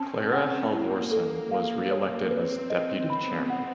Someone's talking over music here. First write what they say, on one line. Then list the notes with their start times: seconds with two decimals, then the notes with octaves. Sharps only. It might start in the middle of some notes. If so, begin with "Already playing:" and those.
Clara Halvorsen was reelected as deputy chairman.
Already playing: C4 C#4 A5
0.33 F#5
0.72 A#3 E4
1.12 A4
1.51 F5
1.91 C#5
2.31 C4 B4
2.70 D#5
3.10 B3 B5
3.50 F#5